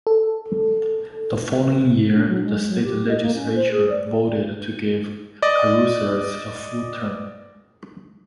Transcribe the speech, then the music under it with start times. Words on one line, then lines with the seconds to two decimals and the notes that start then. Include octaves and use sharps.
The following year, the state legislature voted to give Caruthers a full term.
0.07 A4
2.15 D4
2.28 F#3
2.44 G#3
2.69 F#3
2.83 G4
3.09 D#5
3.22 A#3
3.35 C#4
3.55 C5
3.71 G#4
3.89 D5
5.42 D5 D#5